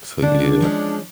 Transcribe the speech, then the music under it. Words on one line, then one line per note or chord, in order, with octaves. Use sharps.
So, yeah.
D3 D4
F3 G#3 C#4